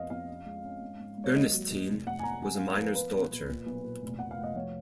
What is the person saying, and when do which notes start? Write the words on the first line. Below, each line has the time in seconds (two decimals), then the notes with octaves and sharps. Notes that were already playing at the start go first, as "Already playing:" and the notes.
Ernestine was a miner's daughter.
Already playing: F2 B3 D#5 F5
0.10 F2 F5
0.28 C#4
0.46 G#3
0.64 C#4
0.81 G#2
0.99 G#2
1.17 G#2
1.24 C#5
1.35 D#2 D#5
1.53 F#3
1.70 D#2
1.89 F1
2.06 F1 F#5
2.19 G#5
2.23 F1 A#5
2.42 G#2 G#5
2.56 G#2 F5
2.68 A#4
2.77 F3 B4
2.95 B3 B4
3.13 B1
3.30 A#2
3.49 A#2
3.66 B1
3.84 A#2
4.02 F1
4.19 F1 F#5
4.31 F5
4.38 F1
4.43 D#5
4.55 F3 C#5